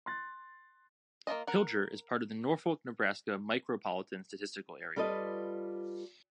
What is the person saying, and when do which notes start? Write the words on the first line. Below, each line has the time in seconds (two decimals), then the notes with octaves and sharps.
Pilger is part of the Norfolk, Nebraska Micropolitan Statistical Area.
0.06 C6 F#6 A6
1.27 A#3 D4 F4 D#5
1.47 A#4 F#5
4.96 G3 F4 A4 B4 D#5